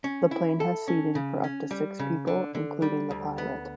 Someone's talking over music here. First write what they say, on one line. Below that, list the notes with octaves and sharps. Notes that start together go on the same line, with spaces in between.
The plane has seating for up to six people including the pilot.
C#4
E4
A4
C#4
C#3
C#4
G3
C#3
D3
D3
G3
D2
B3